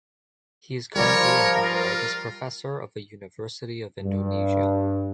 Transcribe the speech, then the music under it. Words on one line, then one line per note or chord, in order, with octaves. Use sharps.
He is currently an Emeritus Professor of the University of Indonesia.
F3 G3 A#4 C#5 D5
F4
G2